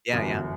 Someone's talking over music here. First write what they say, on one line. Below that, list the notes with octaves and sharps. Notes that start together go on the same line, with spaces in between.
Yeah, yeah.
G1 F#2 E3